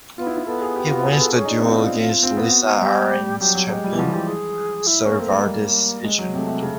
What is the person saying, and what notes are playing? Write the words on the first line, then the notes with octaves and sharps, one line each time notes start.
He wins the duel against Lysa Arryn's champion, Ser Vardis Egen.
B3 F4
E4
E4
B3 A4
G#4
G4
F4
F#4
G#4
A4
C#4 G#4
D#4
D4
B3
C4 F4
C4
B3
F#4
G3 G4
F#3 G4
F#3
G#3 G4
G3
E3
F3 F#4
F3 G4
G#4
E4
A#3 C#4
A3 C4
G#3 B3
G3 A#3
G#3
F#3
C3 A3
C3
C#3